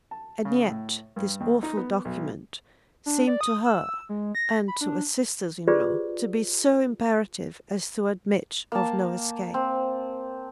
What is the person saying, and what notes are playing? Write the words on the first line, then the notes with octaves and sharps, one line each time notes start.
And yet this awful document seemed to her and to her sisters-in-law to be so imperative as to admit of no escape.
A5
C#3
A2
G2
D#2
D#4
B3
B1
D4
D5
D#6
E6
G#3
A#6
B5
D4
F4 G4 G#4 B4 C5 D5
A#3 G5 A5
C4